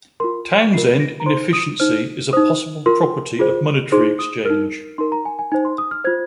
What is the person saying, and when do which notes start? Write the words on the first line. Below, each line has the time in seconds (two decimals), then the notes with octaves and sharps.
Townsend inefficiency is a possible property of monetary exchange.
0.20 F4 A#4 C6
0.73 F4 A#4 C7
1.00 A#6
1.20 A#5
1.26 D#4 C5 C6
1.53 D#6
1.80 D#4 C5 F6
2.33 D#4 C5 D#6
2.86 F4 A#4 C6
3.39 F4 G#4 C5
3.92 D#4 G#4 C5 C6
4.19 D#6
4.45 A#4 F6
4.50 D#4
4.98 D#4 A#4 C6
5.12 A#5
5.25 G#5
5.39 G#5
5.52 D#4 C5 G#5
5.65 C6
5.78 D#6
5.91 F6
6.04 F4 C5 G#6